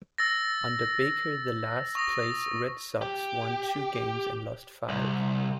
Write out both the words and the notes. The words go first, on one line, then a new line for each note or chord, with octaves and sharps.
Under Baker, the last-place Red Sox won two games and lost five.
E6 A6 A#6
C#6 D#6 A#6
G4
C2